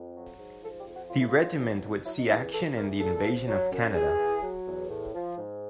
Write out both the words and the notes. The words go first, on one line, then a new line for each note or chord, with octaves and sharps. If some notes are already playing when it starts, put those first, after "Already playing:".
The regiment would see action in the Invasion of Canada.
Already playing: F2
F#3
G#2
F3 A4
G4
F2
F#4
A2 F4
E4
F4
F#3
E3
F2
F#3 E4
D#4
E2 E4
E3 A4
E2 A#4
A#2 A4
F3
F#3
F#2
G2 G#4
E3
F#3
E2
A2
F3
G#2